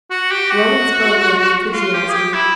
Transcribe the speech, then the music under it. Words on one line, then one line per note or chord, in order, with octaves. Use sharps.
Rollin spoke with enthusiasm.
F#4
G4
F#4
F4
G4
G#4
G4
E4